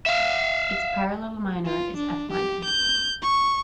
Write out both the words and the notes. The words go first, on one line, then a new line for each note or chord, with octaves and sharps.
Its parallel minor is F minor.
E5 F5
F4
D4
G4
G6
C#6